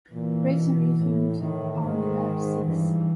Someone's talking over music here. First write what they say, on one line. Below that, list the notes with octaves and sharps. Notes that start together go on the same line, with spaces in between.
Racing resumed on lap six.
A#2 E3
B2
A2
A2 D#3
G#2 D#3
G2 E3